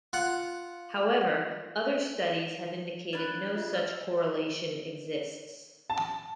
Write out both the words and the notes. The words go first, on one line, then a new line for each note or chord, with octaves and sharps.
However, other studies have indicated no such correlation exists.
F4 F#5
D4 B4 B5 F#6 G#6
F4 D#5 E5
C5 E6 F6
A5